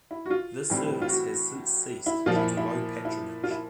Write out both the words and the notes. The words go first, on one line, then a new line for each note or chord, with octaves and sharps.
This service has since ceased due to low patronage.
E4
F#4
F4
A2 E3 G3 C4
F4
F#4
E4
A#2 F3 A#3 F4
E4
E4
E4
F4
E4